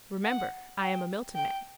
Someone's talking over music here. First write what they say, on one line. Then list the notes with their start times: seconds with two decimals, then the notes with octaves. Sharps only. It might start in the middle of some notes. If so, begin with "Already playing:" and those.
Remember I am a Milton man.
0.24 F#5
0.81 G5
1.35 G5